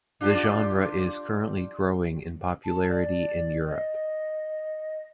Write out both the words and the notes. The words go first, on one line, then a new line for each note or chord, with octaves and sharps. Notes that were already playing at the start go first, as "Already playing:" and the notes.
The genre is currently growing in popularity in Europe.
D4 F4 G4
A5
D5
D#5